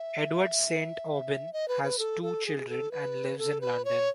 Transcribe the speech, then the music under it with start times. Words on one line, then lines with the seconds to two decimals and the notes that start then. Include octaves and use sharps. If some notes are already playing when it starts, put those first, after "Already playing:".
Edward Saint Aubyn has two children, and lives in London.
Already playing: E5
1.53 D#5
1.68 B4
1.84 B4
1.99 A4
2.22 A4
2.46 G#4
2.69 A4
2.91 B4
3.38 A4
3.61 B4
3.85 C#5